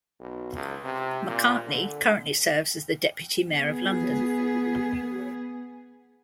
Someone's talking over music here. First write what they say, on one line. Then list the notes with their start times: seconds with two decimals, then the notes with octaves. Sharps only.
McCartney currently serves as the Deputy Mayor of London.
0.20 B1
0.55 C#2
0.84 C3
1.28 A#2
1.67 D3
3.51 B3 G#4